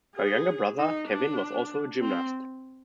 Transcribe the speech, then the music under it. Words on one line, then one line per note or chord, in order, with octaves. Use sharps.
Her younger brother, Kevin, was also a gymnast.
G#4
D#4
D4
C4